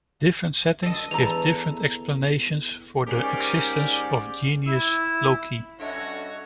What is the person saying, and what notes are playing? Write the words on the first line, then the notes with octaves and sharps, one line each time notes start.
Different settings give different explanations for the existence of genius loci.
A4 D#5
E2 A4 A#5 F7
G#2 C#4 G4 A#4 D5
E4 E6
G2 C#4 D4 F#4 A4 C#5 D#5 E5